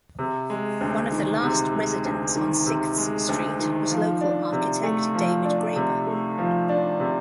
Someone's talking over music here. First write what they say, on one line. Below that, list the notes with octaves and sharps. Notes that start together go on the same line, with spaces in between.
One of the last residents on Sixth Street was local architect David Graeber.
C3
G#3
D2
D#3
C3
G#3
D2
D#3
C3
G#3
D2
D#3
F3
D4
C3
A3
F3
D4
C3
A3
F3
D4
C3